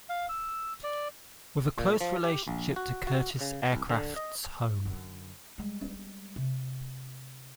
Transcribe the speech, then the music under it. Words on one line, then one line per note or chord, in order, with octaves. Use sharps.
With a close relationship to Curtiss aircraft's home.
F5
E6
D5
A#2
F3
G4
A#1
F#4
F#4
C#3
C2
D3
D#5
F#2 D3
G3 G#3
C3